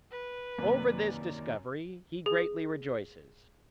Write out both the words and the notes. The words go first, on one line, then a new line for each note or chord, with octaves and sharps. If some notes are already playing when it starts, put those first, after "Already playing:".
Over this discovery he greatly rejoices.
B4
F#2 C3 D#3 A#3 A#4 D5
G#4